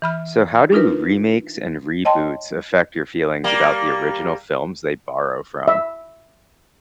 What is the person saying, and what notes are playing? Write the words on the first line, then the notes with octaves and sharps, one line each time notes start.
So how do remakes and reboots affect your feelings about the original films they borrow from?
E3 B5 F6
D4 D#4 F4 A#4 B4
C#5 D#5 G5 A5 C6
G3 A#3
E5